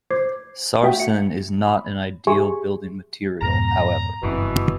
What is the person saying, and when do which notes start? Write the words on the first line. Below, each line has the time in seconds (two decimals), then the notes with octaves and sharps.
Sarsen is not an ideal building material, however.
0.11 C5 D6 G#6 C7
0.83 A3 F#4 E5 F#5 G5 B6
1.00 E5 C#7
1.67 B5
2.27 G4 G#4 E5 G#5 C6 C#6
3.42 F2 G#2 B2 A#5
4.23 F#1 G2 B2 E3 C4